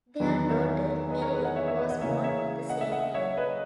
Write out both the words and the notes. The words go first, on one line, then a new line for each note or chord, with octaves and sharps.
Their daughter Meredith was born in the same year.
E2 D#3 F#3 B3 B4 D#5
C#5 E5
B4 D#5
A#4 C#5
G#4 B4
D#5 F#5
C#5 E5
C#5 E5
B4 D#5
D#5 F#5
C#3 E3 A#3 C#5 E5
C#5 E5
D#5 F#5
E5
D#5 F#5
C#5 E5
B4 D#5